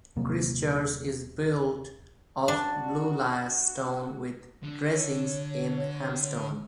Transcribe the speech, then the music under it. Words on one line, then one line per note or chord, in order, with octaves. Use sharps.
Christ Church is built of Blue Lias stone with dressings in Hamstone.
D#1 C3 F#3 A#3
D4 F#4
D3 D4
C#5